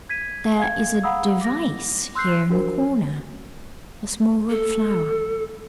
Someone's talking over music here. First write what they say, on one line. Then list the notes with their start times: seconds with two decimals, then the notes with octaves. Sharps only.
"There is a device here in the corner, a small red flower . . ."
0.09 G#6 B6 D#7
0.59 F5 G#6
1.04 F5 F#5 A#5 B5 D#6 E6
1.41 D6 A#6
2.15 C6 E6 F#6 G6 C7
2.49 D4 F#4 A#4 C5
4.50 A4